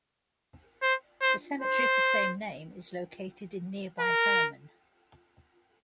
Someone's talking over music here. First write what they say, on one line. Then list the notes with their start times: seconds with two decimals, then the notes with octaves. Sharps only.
The cemetery of the same name is located in nearby Herman.
0.82 C5
1.22 C5
1.61 C5
4.00 A#4